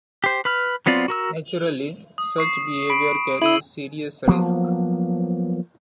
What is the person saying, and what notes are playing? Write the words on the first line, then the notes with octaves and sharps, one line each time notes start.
Naturally, such behavior carries serious risk.
G4 C5
B4 B5 F6
F#3 B3 C4 F4 D5
F#4 A#4 E6
D#6
C#6 C7
B5 D7
E4 E6 D#7 F#7
F3 F#3 A#3 B3